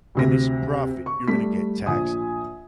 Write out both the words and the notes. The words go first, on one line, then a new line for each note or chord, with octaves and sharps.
and it's profit, you're going to get taxed
D2 C3 A#6
C#6
G3 A3 B6
A#1 G#5 D#6